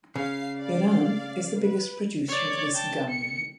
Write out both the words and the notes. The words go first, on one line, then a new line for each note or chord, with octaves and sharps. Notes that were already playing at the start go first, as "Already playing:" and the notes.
Iran is the biggest producer of this gum.
C#3 F5 C7
D5 F5
B4
C#5 D5
G5 A5
C#7